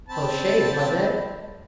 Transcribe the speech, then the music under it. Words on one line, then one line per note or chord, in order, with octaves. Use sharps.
"A close shave, was it?"
C4 A5 B5